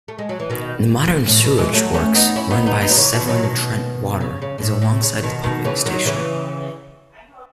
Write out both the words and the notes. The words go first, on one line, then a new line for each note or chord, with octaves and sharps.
The modern sewage works, run by Severn Trent Water, is alongside the pumping station.
A3
G#3
F#3
E3
B2 D#3
A2
B2
E3 G#3
F#3 A3
A3 C#4
B3 D#4
C#4 E4
B3 D#4
B3 D#4
B3 D#4
F#3
C#3 E3
B2 D#3
D#3 F#3
B2 D#3
C#3
C#3
B2
A2
A2
C#3
B2 D#3
B2 D#3
C#3 E3
D#3 F#3
C#3 E3